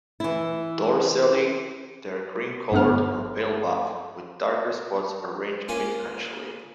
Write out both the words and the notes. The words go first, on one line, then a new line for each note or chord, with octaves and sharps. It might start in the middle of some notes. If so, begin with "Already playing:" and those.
Dorsally they are cream-colored or pale buff, with darker spots arranged quincuncially.
E3 E4
G1 G2 B3 F6
A#3 C#4 F4 F5 G#5